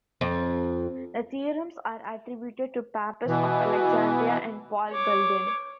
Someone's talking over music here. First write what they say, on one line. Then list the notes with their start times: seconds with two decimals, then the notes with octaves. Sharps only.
The theorems are attributed to Pappus of Alexandria and Paul Guldin.
0.21 F2
3.27 B2 E3
4.91 C#5 D6